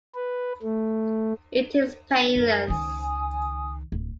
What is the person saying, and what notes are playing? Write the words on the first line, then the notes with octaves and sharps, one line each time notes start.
It is painless.
B4
A3
F#2 A#4
C#2 D#3 G#5 D#6
D1